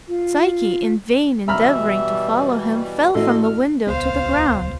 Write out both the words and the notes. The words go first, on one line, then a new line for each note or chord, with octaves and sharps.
Psyche, in vain endeavoring to follow him, fell from the window to the ground.
F4
B2 E3 G3 E5 A#5 B5 F6
A1 A3 F#4 A4 D#5 C6
F6
D#1 C#2 B3 F4 C5 F5